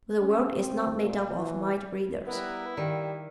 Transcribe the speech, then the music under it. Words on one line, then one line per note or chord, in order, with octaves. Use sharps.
But the world is not made up of mind readers.
C#4
C4
A#2
E3
G3 B3 E4 A#4 B4
D#3 G3 A#3